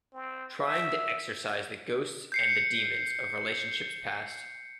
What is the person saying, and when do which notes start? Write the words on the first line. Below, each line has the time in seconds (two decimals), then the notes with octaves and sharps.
Trying to exorcise the ghosts and the demons of relationships past.
0.13 C4
0.59 E5
2.32 G6 C7 C#7